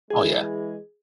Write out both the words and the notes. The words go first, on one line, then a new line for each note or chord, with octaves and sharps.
Oh yeah.
E3 G#3 G#4